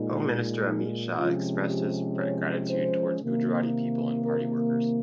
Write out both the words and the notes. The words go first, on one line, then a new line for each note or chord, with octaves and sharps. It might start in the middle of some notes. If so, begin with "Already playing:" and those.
Home Minister Amit Shah expressed his gratitude towards Gujarati people and party workers.
Already playing: A#2 G#3 D#4
D#4
C3 F3 G#3 C#4 F4
G4
C#5
C5
C3 D#3 A#3
A#4